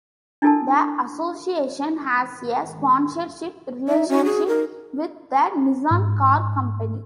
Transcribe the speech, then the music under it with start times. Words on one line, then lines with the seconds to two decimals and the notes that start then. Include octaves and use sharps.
The association has a sponsorship relationship with the Nissan car company.
0.42 D4 E4 F4 A4 A#4 A5
3.88 D#4 E5
4.09 C#4 F#4
4.25 G#4
4.47 D#4 A#4
5.91 G#2